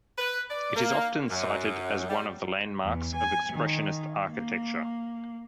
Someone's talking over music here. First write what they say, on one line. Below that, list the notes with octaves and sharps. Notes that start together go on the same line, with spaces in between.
It is often cited as one of the landmarks of expressionist architecture.
B4
D5
A#3
F#2
G3
E2
G#5
D#3
A#3